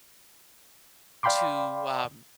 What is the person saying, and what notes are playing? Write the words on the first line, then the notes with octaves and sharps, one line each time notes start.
to, uh,
D5 F5 G5 B5 C6 D6